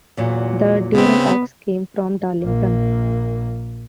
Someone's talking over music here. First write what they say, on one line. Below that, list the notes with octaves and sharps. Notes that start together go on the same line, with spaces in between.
The Durham Ox came from Darlington.
E2 A#2 F#3
C#3 B3 C4
A#1 A#3